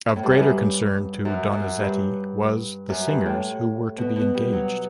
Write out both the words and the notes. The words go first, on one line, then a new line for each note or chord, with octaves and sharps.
Of greater concern to Donizetti was the singers who were to be engaged.
A2
G2
F#2
G2
F#2
F#2
G2
F#2
G2
A2
B2
B2
G3
F#3